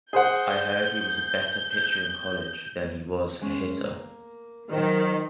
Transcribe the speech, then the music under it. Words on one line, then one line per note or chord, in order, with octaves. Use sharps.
I heard he was a better pitcher in college than he was a hitter.
G#4 C5 F#5 G6
G#3 C#4
A#3
D#3 F#3 C5